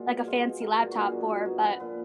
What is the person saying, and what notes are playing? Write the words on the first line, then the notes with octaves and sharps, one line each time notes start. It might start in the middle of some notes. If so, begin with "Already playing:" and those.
like, a fancy laptop for, but.
Already playing: A#2 F#3 G#3 F4 G#4
B2
G#3 F4
B2
G#3 A#4
A#2
D3 F#4 G#4
F#2
F#3
B2
F3 B4
A#2 B4